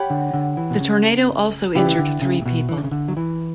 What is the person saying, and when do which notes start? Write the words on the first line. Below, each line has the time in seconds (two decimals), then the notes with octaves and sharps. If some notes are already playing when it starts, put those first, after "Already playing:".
The tornado also injured three people.
Already playing: G4 C#5 F#5 B5
0.10 D3
0.34 D3
0.57 E3
0.70 B2
0.80 C#3
1.75 C#3 E4 G4 B4 D5
1.87 E3
1.98 D3
2.22 C#3
2.42 A#2
2.46 B2
2.69 E3
2.77 D3
2.84 C#3
2.91 D3
3.08 F#3
3.17 E3